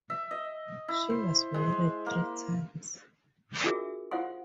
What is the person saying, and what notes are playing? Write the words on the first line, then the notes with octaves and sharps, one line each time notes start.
She was married three times.
E5
D#5
E4
C5
G#3
A#3
D4 F4 F#4 G#4 A#4 E5
F4 C5 F5 F#5 C6